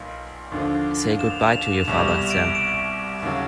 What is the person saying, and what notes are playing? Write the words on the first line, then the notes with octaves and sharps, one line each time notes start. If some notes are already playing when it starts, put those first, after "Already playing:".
Say good-bye to your father, Sam.
Already playing: B1 A#2
D#2 D3 F3
E7
F7
E7
F7
E7
F7
C2 B2 G3 E7
F7
E7
F7
D7 E7
D7 E7
D#2 C#3 F#3